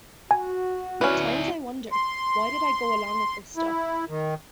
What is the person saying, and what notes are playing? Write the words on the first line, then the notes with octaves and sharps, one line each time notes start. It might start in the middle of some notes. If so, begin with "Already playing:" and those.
At times I wonder, why did I go along with this stuff?
F#4 G#5
C#4 E4 B4 D5
C6
E4
D#3